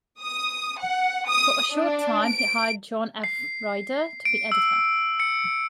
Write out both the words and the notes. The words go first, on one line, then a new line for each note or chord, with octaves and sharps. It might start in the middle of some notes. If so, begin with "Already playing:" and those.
For a short time he hired John F. Rider to be editor.
D#6
F#5
D#6
D4
D7
C7
D7
E6
C#7